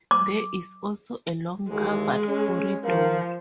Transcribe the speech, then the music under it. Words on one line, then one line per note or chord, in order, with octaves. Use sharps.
There is also a long covered corridor.
D6
D#2 E3 G#3
C#4
F3 A#4 F5